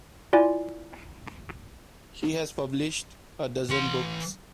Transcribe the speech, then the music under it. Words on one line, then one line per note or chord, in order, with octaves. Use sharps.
She has published a dozen books.
E4 F4 D5 G#5
E3 C6